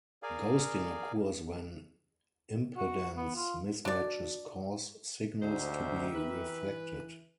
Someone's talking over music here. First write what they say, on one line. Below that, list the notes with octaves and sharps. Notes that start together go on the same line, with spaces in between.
Ghosting occurs when impedance mismatches cause signals to be reflected.
G#4 A#4 D5 F5 G#5
F#4
B3
F4
D4 F#4 D5
D2 D#4 G4 A#4 C5 E5
E3 B4